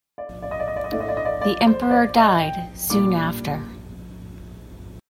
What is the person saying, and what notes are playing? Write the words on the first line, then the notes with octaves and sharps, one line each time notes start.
The emperor died soon after.
D5
D5
D#5
D5
D#5
D5
D#5
A2 A3 D4 D5
D#5
D5
D#5
D5
D5
C5
C5
D5
D#5
G5
A#2 G3 A#3 D4 D6